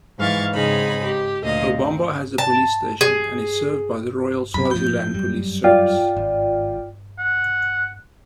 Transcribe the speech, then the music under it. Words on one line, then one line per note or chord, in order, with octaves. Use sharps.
Lobamba has a police station and is served by The Royal Swaziland Police Service.
G#2 E3 F5 C#6 A6
G#2 C#3 C4 D#4 G#4 B5
G4
D2 A#2 D#5 F5
C4
A5
G#4
F#2 B2 B5
A2 F3 G6
F#2 G3
F4 D5 G5
G#1
F#5